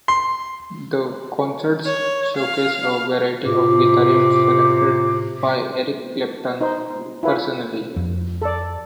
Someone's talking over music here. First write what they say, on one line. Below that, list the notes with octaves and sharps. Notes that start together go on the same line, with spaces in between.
The concerts showcase a variety of guitarists, selected by Eric Clapton personally.
C6
C#5
F5
A2 C3 F4 D6
D#4 C5
E4 F4 B4
F2
A4 D5